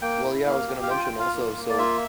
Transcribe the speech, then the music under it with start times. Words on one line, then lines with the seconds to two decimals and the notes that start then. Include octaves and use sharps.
well, yeah, I was gonna mention also. So,
0.02 A#3 G5
0.24 E4
0.46 A#3 F5
0.68 G4
0.83 F5
0.90 F4 G5
1.05 G5
1.12 F4
1.20 F5
1.34 A#3
1.56 A#3
1.70 D5
1.78 F4 E5